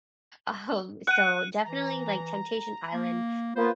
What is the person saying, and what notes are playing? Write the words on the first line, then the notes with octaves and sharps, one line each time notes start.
um, so definitely, like, Temptation Island.
F#5 F#6 D#7
E3 A#5
A#3
A#3 B3 F4 B4 C5